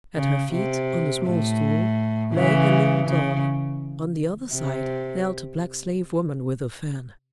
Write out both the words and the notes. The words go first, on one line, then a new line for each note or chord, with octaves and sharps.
At her feet, on a small stool, lay a little dog; on the other side knelt a black slave woman with a fan.
C#3
C3
A2
C#3 E3
C#3
C3